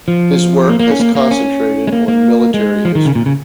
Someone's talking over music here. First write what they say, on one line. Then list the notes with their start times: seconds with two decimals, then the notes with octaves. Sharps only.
His work has concentrated on military history.
0.08 F3
0.69 A#3
0.80 A#3
0.90 C#4
1.00 A#3
1.15 A#3
1.31 C#4
1.87 G#3
1.93 A#3
2.08 A#3
2.54 G#3
2.85 F3
2.95 D#3
3.06 C#3
3.15 A#2
3.26 C#3